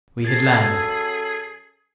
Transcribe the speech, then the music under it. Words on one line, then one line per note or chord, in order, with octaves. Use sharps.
We had landed.
F#2 G#4 A4 G#6 A6 C7